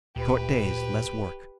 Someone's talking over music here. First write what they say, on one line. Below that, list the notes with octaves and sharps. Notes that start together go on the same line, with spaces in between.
Short days, less work.
D2 A#2 G4 B4